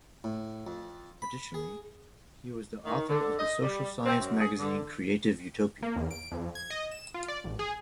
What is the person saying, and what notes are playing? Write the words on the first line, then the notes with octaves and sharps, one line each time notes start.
Additionally, he was the author of the social science magazine “Creative utopia”.
A2
F2
B5
G#4
D#3
D3
D#5
G3
C4
F#2
G#4
D3
A#3
E2
D7
F2
G#6
D#5
E7
F4
D5
A1
G#4